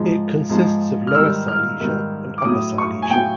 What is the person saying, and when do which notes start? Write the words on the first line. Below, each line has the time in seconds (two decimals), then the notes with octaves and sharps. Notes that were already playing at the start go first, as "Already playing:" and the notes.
It consists of Lower Silesia and Upper Silesia.
Already playing: G#2 F3 G#3
0.49 G#2 F3 G#3
1.07 F6
1.15 G#2 D#3 G3 E6
1.48 F6
1.80 G#2 D#3 G3
2.38 D6
2.45 A2 F#3 D#6
2.78 C#6
3.02 G#5
3.10 A2 F#3 G5